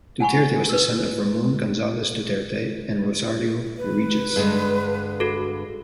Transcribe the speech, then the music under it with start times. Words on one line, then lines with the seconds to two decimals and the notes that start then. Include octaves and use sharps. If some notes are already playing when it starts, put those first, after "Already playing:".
Duterte was the son of Ramon Gonzales Duterte and Rosario Regis.
0.20 F#5 G#5 B5 C#6
0.69 A#4 B4
3.77 B4
4.36 G2 D3 G#3
5.20 F#4 A4